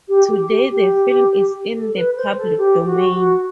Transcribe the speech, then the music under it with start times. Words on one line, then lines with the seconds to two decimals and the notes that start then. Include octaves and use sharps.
Today the film is in the public domain.
0.08 G4
0.30 G4
0.50 G4
0.71 G4
1.75 A4
1.95 B4
2.17 C5
2.37 A4
2.58 G4
2.86 F#4
3.13 F#4